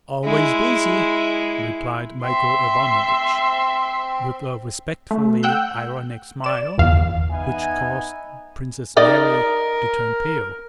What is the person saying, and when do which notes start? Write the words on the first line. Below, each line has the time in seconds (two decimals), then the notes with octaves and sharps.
"Always busy," replied Michael Ivanovich with a respectfully ironic smile which caused Princess Mary to turn pale.
0.25 G#3 E4
2.23 C4 E5 C6
5.11 A3
5.43 F#5 G5 E6 F#6 G6
6.44 D5 E7
6.78 G1 E2 F5
7.31 B3 D#4 E5 G#5
8.97 D#4 A#4 D5 D#5